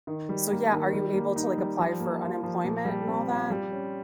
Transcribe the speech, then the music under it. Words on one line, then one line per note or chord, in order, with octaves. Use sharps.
so, yeah, are you able to like apply for unemployment and all that?
D#3
G3
A#3
D#3
G3
A#3
D#4
G3
F3
A#3
F4
F3
A#2
G3
C4
F4
G3
C#4